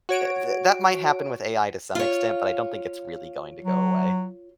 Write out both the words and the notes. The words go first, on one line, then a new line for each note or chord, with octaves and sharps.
th th that might happen with AI to some extent, but I don't think it's really going to go away.
F#4 C#5 D7
F4 C#5
F#3